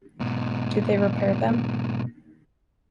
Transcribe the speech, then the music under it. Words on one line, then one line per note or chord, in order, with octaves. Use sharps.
Do they repair them?
G#2 B2